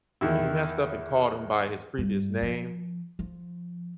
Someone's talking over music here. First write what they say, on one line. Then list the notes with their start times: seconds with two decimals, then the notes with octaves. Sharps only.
you know, he messed up and called him by his previous name.
0.21 E2 D#3 E4
1.98 G2
2.42 F3
3.19 F3